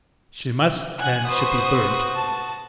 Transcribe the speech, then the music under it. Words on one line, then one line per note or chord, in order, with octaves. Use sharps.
She must and should be burnt.
F#5 G#5 F#6
F#4 B4 C5 D#6
A5